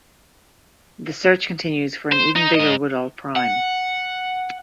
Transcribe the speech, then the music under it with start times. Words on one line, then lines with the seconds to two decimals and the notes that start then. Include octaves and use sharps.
The search continues for an even bigger Woodall prime.
2.12 C5
2.36 D#4
2.55 G#2 D#5
3.36 F#5